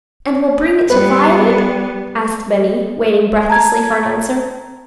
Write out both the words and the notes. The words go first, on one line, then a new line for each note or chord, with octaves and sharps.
"And we'll bring it to Violet?" asked Benny, waiting breathlessly for an answer.
G3 B3 B4
A5 A#5 G#6